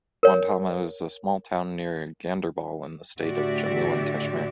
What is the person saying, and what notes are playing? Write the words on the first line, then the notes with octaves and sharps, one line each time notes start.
Wandhama is a small town near Ganderbal in the state of Jammu and Kashmir.
A#4 C#5
A2 D3 F#4 G4 D5 E5